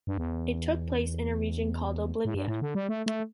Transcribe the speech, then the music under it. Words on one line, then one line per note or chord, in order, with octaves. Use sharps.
It took place in a region called Oblivia.
G2
E2
A2
G2
A2
D3
G3
A3
A3